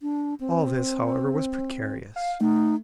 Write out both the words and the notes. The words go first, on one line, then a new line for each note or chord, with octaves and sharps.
All this, however, was precarious.
D4
C4
F5
A3 D#4